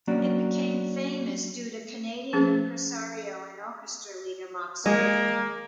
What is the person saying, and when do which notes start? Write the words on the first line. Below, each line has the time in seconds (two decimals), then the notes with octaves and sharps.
It became famous due to Canadian impresario and orchestra leader, Moxie Whitney.
0.07 F#3 A#3 C#4 D4 F#4 D5
2.33 F3 C#4 G#4 B4 C5
4.86 G#3 A#3